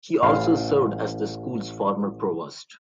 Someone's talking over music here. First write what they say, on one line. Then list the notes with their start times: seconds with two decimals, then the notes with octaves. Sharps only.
He also served as the school's former provost.
0.23 A1 F5